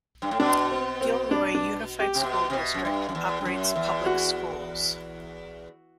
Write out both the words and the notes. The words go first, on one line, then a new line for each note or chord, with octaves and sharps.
Gilroy Unified School District operates public schools.
G2
A2
B2 D4
C4
C4
D4
D4
G4
C3
B2
C3
B2
F#2
G2
F#2
E2
G2
F#2
E2
F#4